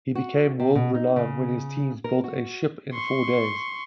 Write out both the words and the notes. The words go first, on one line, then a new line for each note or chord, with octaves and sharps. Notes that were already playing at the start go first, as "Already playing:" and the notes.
He became world-renowned when his teams built a ship in four days.
F#4
C3
B2
D#4
C#3
A#4
F#4
C6 C#6